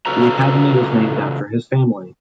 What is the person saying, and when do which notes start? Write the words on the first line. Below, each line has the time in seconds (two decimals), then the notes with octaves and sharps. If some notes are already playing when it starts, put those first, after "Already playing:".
The Academy was named after his family.
0.06 C#3 F4 F#4 A4 B4 A#5